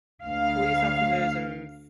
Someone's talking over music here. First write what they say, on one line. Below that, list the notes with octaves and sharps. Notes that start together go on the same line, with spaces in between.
police officers and f,
D2 F5